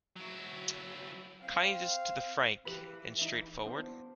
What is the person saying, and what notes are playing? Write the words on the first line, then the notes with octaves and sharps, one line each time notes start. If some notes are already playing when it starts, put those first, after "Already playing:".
Kindest to be frank and straightforward?
F#3 E4
C4 F5
E3 G4 B4 B5
D#4 E5
B3 D4 C5